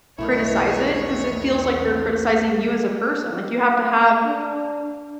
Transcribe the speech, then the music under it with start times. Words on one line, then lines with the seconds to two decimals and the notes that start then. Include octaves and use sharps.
criticize it, 'cause it feels, like, they're criticizing you as a person, like, you have to have
0.18 B1 E2 D#3 A3 E4 B4 C#5
4.25 D4